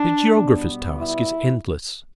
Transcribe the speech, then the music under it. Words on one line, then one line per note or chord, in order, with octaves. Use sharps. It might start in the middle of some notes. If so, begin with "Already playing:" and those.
The Geographer's task is endless.
Already playing: D4
B2 G3 B3
E4